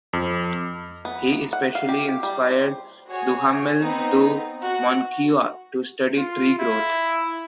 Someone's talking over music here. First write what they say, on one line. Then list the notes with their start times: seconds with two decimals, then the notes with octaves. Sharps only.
He especially inspired Duhamel du Monceau to study tree growth.
0.13 F2
1.05 B3
1.32 A#3
1.53 F#5
1.75 F5
1.89 G4
2.08 G4
2.23 G3
2.51 C5
3.09 F#4 G#4 C#5
3.81 B3 C4 D#4
4.64 F#4
6.18 F4
6.59 E4